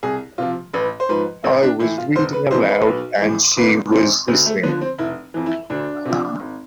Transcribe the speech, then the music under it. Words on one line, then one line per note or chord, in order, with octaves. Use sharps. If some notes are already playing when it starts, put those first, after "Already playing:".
I was reading aloud, and she was listening.
C2 G#4
C3 F3 F4
A1 B4
C5
G#2 F3 B4
A1 C4
D4
A2 E3 E4
F4
F1 C5
B4
F2 E3 C5
B4
B1
A2 E3
G#1 B4
G#2 E3 C4
D2 B3
A3
D3 F3 B3
C4
F1 E4
F2 E3
E4
D2 D4
C3 F3
G#1